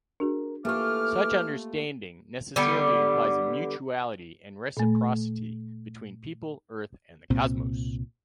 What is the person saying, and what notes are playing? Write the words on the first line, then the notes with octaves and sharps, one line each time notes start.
Such understanding necessarily implies a mutuality and reciprocity between people, earth and the cosmos.
D4 F#4 G#4 A#4
E3 A3 A#3 F4 G4 C#6 D6 F6
D3 G3 B3
A#2 A3
C2 A#2 C4